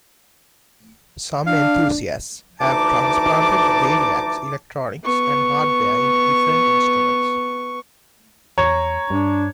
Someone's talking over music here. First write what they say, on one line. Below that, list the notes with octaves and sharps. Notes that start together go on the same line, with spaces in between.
Some enthusiasts have transplanted Variax electronics and hardware into different instruments.
D4 F5
D2 E3 D#4 A5 D6
B3 C#6
E2 C#5 A#5
G2 D4